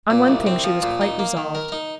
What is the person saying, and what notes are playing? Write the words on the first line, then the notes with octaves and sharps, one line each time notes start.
On one thing she was quite resolved.
A#2
C2
C4
F3
A#2
D#4
A#3
D#3
A#4
D#4